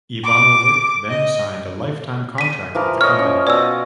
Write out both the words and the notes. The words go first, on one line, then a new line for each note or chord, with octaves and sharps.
Ivanovic then signed a lifetime contract with the company.
D6
D#5
B6 D#7
E3 F3 A#4
C#5 D#5 F6
C#4
B2 D5 G#5 E6